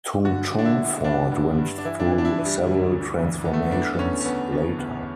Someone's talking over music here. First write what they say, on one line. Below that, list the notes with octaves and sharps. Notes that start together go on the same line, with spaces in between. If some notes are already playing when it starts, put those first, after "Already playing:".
Tung Chung Fort went through several transformations later.
D3 F#4
D3
D4
E4
D3
G2 D4
G2
G2
D4
E3 E4
D4
E4
E3
D4
E4
E3
G3
D2
D2
D2
E2 B3
A3
B3
E2 D4
B3
E2 C#4
C#4
E2 B3
E2
E2